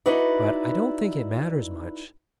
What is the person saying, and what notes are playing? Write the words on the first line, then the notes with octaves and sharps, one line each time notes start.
"But I don't think it matters much."
D#4 E4 F#4 B4 D5